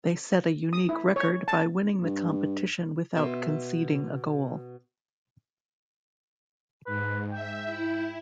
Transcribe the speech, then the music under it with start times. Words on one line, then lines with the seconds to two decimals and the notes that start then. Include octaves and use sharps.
They set a unique record by winning the competition without conceding a goal.
0.73 D#6
0.89 E4
1.16 C#5
1.48 A5
2.03 G2
3.16 B2 E5 C6
6.86 G#2 B4
7.32 E5 G5
7.66 E4